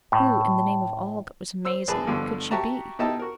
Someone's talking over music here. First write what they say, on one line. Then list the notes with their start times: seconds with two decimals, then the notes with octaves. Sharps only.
Who, in the name of all that was amazing, could she be?
0.12 A2
1.65 C5 E6
1.88 A#1 G#4 B4 A5
2.07 E2 G2 B2 D3 F3
2.51 F#4 G4 E5 A5 A#5
2.99 B2 D#4 E4 G4 D#5 A5
3.19 F#4 A#4